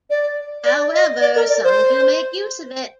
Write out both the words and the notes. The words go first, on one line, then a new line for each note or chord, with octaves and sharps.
However, some do make use of it.
D5
D5
D#5
D5
A#4
D5
C5